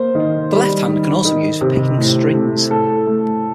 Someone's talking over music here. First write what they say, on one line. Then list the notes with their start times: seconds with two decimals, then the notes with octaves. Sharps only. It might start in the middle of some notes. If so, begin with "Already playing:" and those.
The left hand can also be used for picking strings.
Already playing: A#3 C5
0.15 D#3
0.52 G3
0.88 D#3
1.25 D#3
1.61 C3
1.98 A2
2.34 A3
2.71 A2 A4
3.07 A3